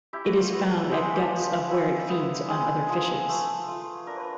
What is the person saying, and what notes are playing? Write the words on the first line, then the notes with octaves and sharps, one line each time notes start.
It is found at depths of where it feeds on other fishes.
E4 G4
F#4
F4
F#4
B3
G#3 G4
F3
E4
B3
G#3 G#4
F3
A3
F4
D4 A#4
B4